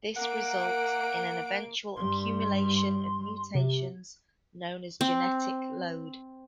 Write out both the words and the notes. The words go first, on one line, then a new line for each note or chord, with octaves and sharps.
This results in an eventual accumulation of mutations known as genetic load.
A#3 F#5 D7
G2 G3 C6
C3
C4